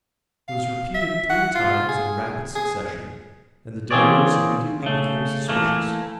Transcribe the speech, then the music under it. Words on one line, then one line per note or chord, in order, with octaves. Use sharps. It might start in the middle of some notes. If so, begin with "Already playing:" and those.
It was repeated three times in rapid succession, and the Delawares immediately became suspicious.
F5
E5
F#5
F4
G#4
G#4
E3 A#3 C4 G#4 C#5 D5
C#3 A3
E3 A3 A#3